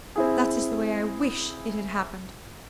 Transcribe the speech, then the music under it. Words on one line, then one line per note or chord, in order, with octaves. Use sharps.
That is the way I wish it had happened.
C4 E4 G#4